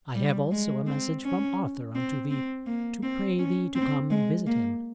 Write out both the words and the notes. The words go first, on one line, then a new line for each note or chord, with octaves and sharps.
I have also a message from Arthur unto thee, to pray thee to come and visit him.
G3
G#3
C4
C#4
C4
C4
A#3
C4
C#4
C4
G#3
A#3